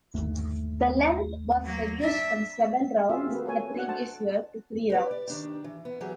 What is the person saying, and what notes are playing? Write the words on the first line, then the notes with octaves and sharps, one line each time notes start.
The length was reduced from seven rounds in the previous year to three rounds.
G1 D#2 A3
F#3 A#3
D4 E5
C4 F4 F#4 G#4 E5 F5
A3 A#3 F#4 B4
A4 C#5 G#5
D4 F#4 F#5
A3 C5 A5
G4 B4 D5
D5
D#3 D4 G4
E3
B3
E3 F#3 G4 G#4